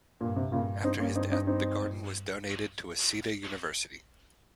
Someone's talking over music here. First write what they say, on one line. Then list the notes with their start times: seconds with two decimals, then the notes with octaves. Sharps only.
After his death, the garden was donated to Waseda University.
0.20 G2 A#2
0.36 C3
0.52 G2 A#2 C#3
0.84 C4 D#4
0.99 A#3 C#4
1.15 C4 D#4
1.32 C4 D#4
1.47 C4 D#4